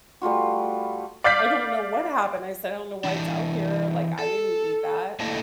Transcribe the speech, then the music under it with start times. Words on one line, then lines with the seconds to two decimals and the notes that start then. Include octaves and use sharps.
I don't know what happened." I said, "I don't know why it's out here, like, I didn't eat that."
0.21 G3 A3 F4 F#4
1.24 D5 F5 G6 A6 B6
3.04 E3 D4
4.19 A4
5.20 A3 A#3 D4 E4 A4 D#5